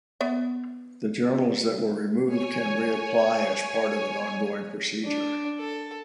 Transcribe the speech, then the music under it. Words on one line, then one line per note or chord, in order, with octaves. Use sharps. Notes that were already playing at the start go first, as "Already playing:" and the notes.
The journals that were removed can reapply as part of an ongoing procedure.
B3 E5
C#5 G#5
D4
A4